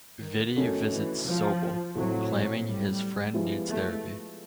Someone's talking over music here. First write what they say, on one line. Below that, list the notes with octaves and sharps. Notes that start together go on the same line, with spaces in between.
Vitti visits Sobel, claiming his friend needs therapy.
D#3
D#3 A3 C#4 F#4 A4
E3
F3
A2 E3 F#3 A3 C4
G3
F3 G#3 B3 E4 G4
A3